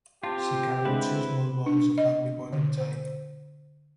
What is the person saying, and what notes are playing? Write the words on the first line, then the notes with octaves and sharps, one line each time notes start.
She carried two small boats of unrecorded type.
C4 F4 G4 A5
D3 G#3 C4 E4 B4
D4
D#5
D3
C5